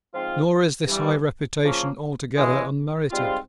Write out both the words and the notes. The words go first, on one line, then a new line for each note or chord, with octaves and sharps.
Nor is this high reputation altogether unmerited.
G#2 F3 C4 F4
G2 E3 G3
C#3 F3 A#3 C#4
C#3 E3 G#3
G#2 G3 C4 F4